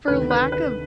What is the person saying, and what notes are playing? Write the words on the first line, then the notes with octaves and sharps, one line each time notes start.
for lack of
D2 C3 D#3 B4
B4
B4